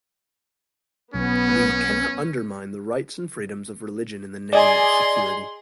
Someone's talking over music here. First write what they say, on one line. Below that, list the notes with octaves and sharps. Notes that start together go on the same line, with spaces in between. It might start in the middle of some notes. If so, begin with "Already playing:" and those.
We cannot undermine the rights and freedoms of religion in the name of security.
B1 B3 C#4
G#4 D5 D#5 G#5 C6